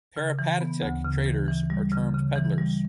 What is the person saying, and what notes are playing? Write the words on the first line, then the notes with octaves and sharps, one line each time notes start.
Peripatetic traders are termed pedlars.
C#3
E3
B3
D2
C#3
E3
E3
G3
C#3
C#3
E3
G3